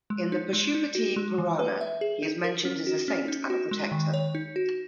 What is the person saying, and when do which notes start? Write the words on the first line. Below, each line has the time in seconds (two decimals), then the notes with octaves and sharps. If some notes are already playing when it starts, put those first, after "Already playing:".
In the "Pashupati Purana", he is mentioned as a saint and a protector.
0.10 G#3
0.32 D#4
0.53 G#3
0.75 D#4
0.95 F#4
1.16 G#3
1.38 E3
1.59 B4
1.81 E5
2.01 G#4
2.23 D#4
2.44 A#4
2.65 C#4
2.87 F#4
3.08 C#4
3.28 D#4
3.50 F#4
3.71 G#3
3.92 D#3
4.14 C#5
4.35 D#4
4.56 F#4